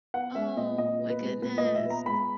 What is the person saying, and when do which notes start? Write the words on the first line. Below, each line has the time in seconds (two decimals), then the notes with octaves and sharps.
Oh my goodness.
0.14 B3 F#5
0.35 G#3 E5
0.56 A#2 D#5
0.78 A#2 D#5
0.99 B3
1.10 B4
1.20 G#3
1.42 A#2 B4
1.58 D#5
1.64 A#2
1.75 E5
1.85 B3
1.90 A#5
2.06 G#3 B5